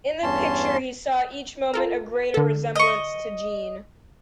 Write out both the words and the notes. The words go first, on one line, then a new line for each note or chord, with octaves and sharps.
In the picture he saw each moment a greater resemblance to Jeanne.
E2 G2 C#4 A5 C6
F4 A4 A#4
D3 A4
D#5 C#6